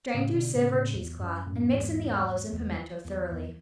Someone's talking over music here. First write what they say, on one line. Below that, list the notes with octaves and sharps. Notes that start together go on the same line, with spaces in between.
Strain through sieve or cheesecloth, and mix in the olives and pimiento thoroughly.
A2 C#3
B2 D3
A2 C#3
A2 C#3
E2
F#2
F#2 A2
E2 G#2
E2
E2
E2